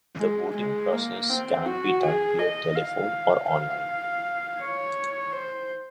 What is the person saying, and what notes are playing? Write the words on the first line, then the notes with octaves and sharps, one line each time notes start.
The voting process can be done via telephone or online.
G#3
G#3
A#3
C4
F#4
G#4
D#5
F5
F5
C#5
C5